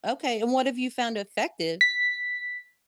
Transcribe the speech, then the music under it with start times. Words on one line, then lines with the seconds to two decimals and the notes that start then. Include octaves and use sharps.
Okay, and what have you found effective
1.81 B6